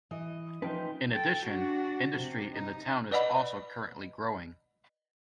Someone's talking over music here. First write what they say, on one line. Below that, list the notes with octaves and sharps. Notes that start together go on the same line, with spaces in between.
In addition, industry in the town is also currently growing.
E3 D#5
F3 C#4 D#4 B4 G5 C6
A4 G5
D4 F#4
C3
D#4
B4 D5 D#5 F#5 B5